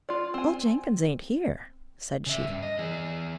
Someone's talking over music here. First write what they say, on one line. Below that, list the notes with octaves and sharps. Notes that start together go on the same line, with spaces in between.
"Old Jenkins ain't here," said she.
F4 D5
C4 G#5
C#3 E5
G2
D#5
E3 G#4